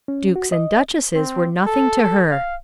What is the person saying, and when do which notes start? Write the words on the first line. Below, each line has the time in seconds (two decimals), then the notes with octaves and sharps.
Dukes and duchesses were nothing to her.
0.08 C#4
0.36 F#4
0.52 D#5
1.15 C4
1.67 A4
2.31 F5